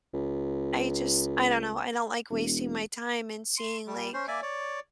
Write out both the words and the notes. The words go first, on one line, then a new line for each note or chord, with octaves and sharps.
I just I don't know. I don't like wasting my time and seeing, like
C#2
E1
C6
G3
C#4 C5
A#3 D5 E5 G#5
C#5 D5